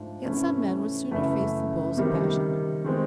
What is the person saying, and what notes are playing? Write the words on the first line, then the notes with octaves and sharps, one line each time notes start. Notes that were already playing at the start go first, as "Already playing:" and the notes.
Yet some men would sooner face the bulls of Bashan.
Already playing: G#2 F3 A3 D4
C3 E3 A3 C#4
F#2 C#3 E3 A3
C3 D#3 G3
D#3 G#3 C4